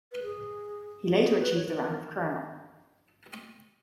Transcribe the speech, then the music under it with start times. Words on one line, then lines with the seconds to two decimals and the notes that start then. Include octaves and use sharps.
He later achieved the rank of Colonel.
0.12 B4
0.23 G#4
1.11 G#4
1.26 G#4
1.41 B4
1.55 C#5
1.66 B4
1.77 B4
1.89 A#4